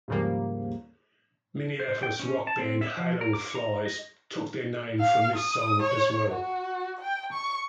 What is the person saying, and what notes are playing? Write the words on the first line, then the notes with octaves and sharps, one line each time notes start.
Minneapolis rock band Halo of Flies took their name from this song as well.
D#2 G#2 C#3 F3 G3 A#3
C5
G5
C#4
A5
C4
E5
F3
A#4
D6
A#5
D#5
F5
D#6
C#5
F#4
G5
C#6